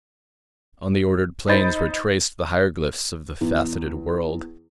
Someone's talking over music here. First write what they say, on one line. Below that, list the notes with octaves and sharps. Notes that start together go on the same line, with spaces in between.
On the ordered plains were traced the hieroglyphs of the faceted world.
D#4 C5 B5 G6 A6
E2